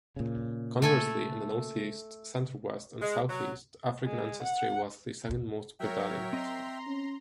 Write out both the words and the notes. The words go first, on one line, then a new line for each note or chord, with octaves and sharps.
Conversely, in the Northeast, Center-West and Southeast, African ancestry was the second most prevalent.
A#2 C#3
A3 A4 G#5
G#3
F#3
G#3
F#5
F#3 A#4 C#5 E5 G5
C4 D#5 A#5 C6
C#4